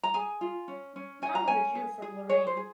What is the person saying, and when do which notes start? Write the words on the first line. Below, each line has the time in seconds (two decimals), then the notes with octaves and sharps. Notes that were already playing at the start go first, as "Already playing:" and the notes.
Kahn was a Jew from Lorraine.
0.03 A#5
0.14 G#4 G#5
0.41 F4
0.68 C#4
0.96 C#4
1.22 C#4 G#5
1.35 A#5
1.48 C#4 G#5
1.75 G#4
2.02 G#4
2.29 G#4 C#5
2.47 C5
2.57 G#4